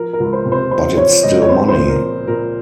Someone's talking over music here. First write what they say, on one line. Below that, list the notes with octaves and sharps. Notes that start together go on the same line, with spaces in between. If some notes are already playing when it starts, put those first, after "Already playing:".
But it's still money.
Already playing: F3 A#4
A#4
C#2
C5
C3
C5
C4 C5
F3 C#5
C#2 D#5
C#5
C4 C5
C5
A#2
A#4
F3
A#2 A#4